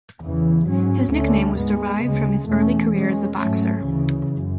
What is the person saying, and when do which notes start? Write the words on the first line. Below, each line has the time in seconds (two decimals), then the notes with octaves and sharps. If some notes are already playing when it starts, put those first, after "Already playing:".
His nickname was derived from his early career as a boxer.
0.21 E2 C#3 E3
0.67 G#2 F#3 C#4
1.11 D2 D3 A3 C#4
1.57 G#2 G#3 B3
2.02 D2 C#3 G#3
2.47 E2 B2 A3 C#4
2.93 B2 G#3 C#4
3.37 G#2 F#3 A3 C#4
3.83 D2 C#3 E3
4.28 F#2